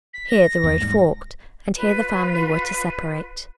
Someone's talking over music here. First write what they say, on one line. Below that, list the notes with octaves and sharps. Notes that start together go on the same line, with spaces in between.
Here the road forked. And here the family were to separate.
B6
A#6
E2 A#3
G#2 G3
F4 B4